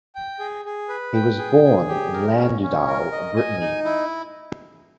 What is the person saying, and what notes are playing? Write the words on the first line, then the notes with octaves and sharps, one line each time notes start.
He was born in Landudal, Brittany.
G5
G#4
G#4
B4
G5
G#4
G#4
G4
A#4
C#4
C#4
A#4
D#5
G#5
D#4
E4